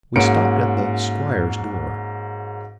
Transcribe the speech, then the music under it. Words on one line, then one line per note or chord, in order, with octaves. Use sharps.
We stopped at the 'squire's door.
G#2 A#3 C#4 F#4 C#7 D7